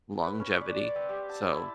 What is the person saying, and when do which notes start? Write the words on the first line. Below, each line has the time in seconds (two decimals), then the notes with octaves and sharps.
longevity. So,
0.24 B4
0.40 C#4
0.61 D5
0.76 D6
0.96 C4
1.09 G4
1.29 A5
1.52 E4